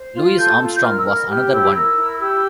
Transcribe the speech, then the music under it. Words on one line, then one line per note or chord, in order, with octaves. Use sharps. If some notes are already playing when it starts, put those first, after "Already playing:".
Louis Armstrong was another one.
Already playing: C5
F4
A4 G6
F4
G6
A#4 F6
E6
E4 F6
G4 F6
E4 E6
A#4 E6
E4
G4 E6